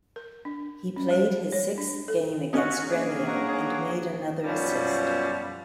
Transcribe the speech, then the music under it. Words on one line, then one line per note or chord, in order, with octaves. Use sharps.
He played his sixth game against Gremio and made another assist.
A#4
D4
C#4
G3
C#5
D4
A4
C#4 D#4 F#4
A#3 D4 G#4
C#5 F#5 A#5
F#2 B2 F3 G3 B3 C#4